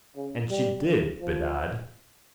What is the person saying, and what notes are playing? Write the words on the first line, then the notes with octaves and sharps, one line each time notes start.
And she did bedad.
C#3
G3
F3